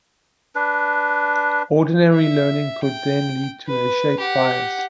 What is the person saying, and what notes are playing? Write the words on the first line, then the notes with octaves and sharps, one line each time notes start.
Ordinary learning could, then, lead to a shape bias.
D4 B4
E5
G5
B4
G4 F#5